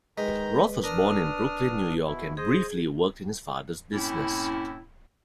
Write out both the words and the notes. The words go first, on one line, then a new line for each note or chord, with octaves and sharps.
Roth was born in Brooklyn, New York and briefly worked in his father's business.
D#3 G#3 B4 A#5 G6
D4 A#4 D#6 F6
B2 E4
G#4 C5 D#5
F#2 A2 A#3 C4 C#4 E4